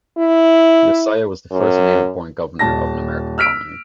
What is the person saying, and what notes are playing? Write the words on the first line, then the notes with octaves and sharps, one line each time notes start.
Josiah was the first native born governor of an American Colony.
E4
F#2
D#1 A5 A#6
E6 F6 B6 D7